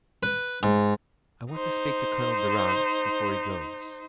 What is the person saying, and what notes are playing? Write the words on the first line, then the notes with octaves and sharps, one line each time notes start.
"I want to speak to Colonel Durrance before he goes."
B4
G#2
D#4 C5